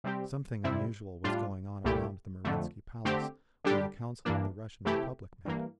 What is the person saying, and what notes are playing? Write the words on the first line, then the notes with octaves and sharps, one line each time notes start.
Something unusual was going on around the Marinsky Palace, where the Council of the Russian Republic met.
C3 G3 C4 G4
F2 C3 G3 C4 E4
A2 G3 D4 F4
C2 A#2 A3 E4 G4
F2 D3 A3
D3 A3 C4 G4
D3 G3 D4 G4
G2 E3 A#3 D4
C3 E3 A3 E4 G4
G2 E3 A#3